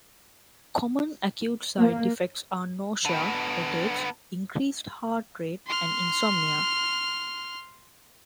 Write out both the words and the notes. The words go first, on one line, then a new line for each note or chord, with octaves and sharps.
Common acute side effects are nausea, headaches, increased heart rate and insomnia.
A#3
D3 B3
C6 F6